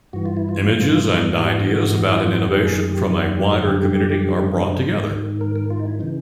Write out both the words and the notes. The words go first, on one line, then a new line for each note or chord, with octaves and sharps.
Images and ideas about an innovation from a wider community are brought together.
G2 E3 F#4
F4
E4
F4
G#2 E3 F#4
G4
F#4
E4
F4
F#4
F#2 D#3 G4
G#4
G#4
G4
F#4
G4
F#4
F#2 D3 G4
G#2 D#3
A#4
A#4
F4
D#4
E4
C#3 E3 D#4